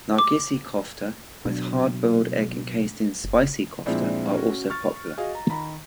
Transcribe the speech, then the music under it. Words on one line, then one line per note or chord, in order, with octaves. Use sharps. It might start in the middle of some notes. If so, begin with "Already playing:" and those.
Nargisi kofta with hard boiled egg encased in spicy kofta are also popular.
D6
B2 F#3 D4
F#1
A#2 F3 G#3 C4 D4 E4
C#4 F#4
C#6 F6 A6
F#4 G#4 D#5 F5
A#5
D#3 A#5 B5